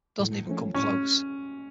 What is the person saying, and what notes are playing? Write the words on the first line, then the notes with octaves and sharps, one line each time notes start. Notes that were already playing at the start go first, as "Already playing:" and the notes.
Doesn't even come close...
A2
F3 A3 C#4
A2 C#4